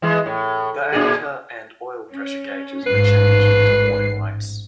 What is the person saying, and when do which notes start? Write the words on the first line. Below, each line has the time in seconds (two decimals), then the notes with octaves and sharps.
The ammeter and oil pressure gauges were changed to warning lights.
0.02 E3 G#3
0.26 A2
0.92 A#2 D4 G#4
2.12 C#4
2.86 A1 G#2 B4 C7